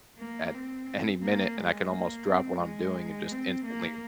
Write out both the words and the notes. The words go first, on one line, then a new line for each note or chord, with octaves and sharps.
at any minute, and I can almost drop what I'm doing and just instantly
A#3
C4
A#3
G#3
A#3
C4
G#3
C4
A#3